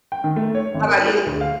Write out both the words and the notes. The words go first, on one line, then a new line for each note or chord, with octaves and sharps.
How 'bout you?
G5
D#3
A3
C#5
G#1
A#4
G#4
D2
F5